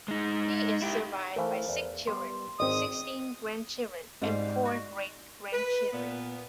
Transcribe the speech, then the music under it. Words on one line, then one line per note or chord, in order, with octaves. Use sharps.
He is survived by six children, sixteen grandchildren and four great grandchildren.
G#3 D#4
E4 G4
E3 A3 A#4 C5 F5
E2
G3 B3 C6
G#1 C4 D#5 D#6
G#2 G3 F5
F#4
B4
A#2 B3